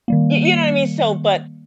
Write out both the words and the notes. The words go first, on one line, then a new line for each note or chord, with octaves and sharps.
Y you know what I mean? So but
D#3 G3 A#3
C#7